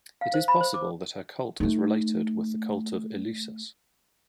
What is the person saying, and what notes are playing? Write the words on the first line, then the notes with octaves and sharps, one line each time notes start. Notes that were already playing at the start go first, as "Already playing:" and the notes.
It is possible that her cult is related with the cult of Eleusis.
F5
C5
B5
C5
D6
A3 D#4